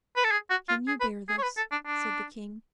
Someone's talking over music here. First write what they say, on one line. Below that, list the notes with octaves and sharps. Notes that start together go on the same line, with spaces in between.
"Can you bear this?" said the king.
B4
A4
G#4
F#4
F4
G#4
B4
G#4
C#5
B4
A4
D4
D4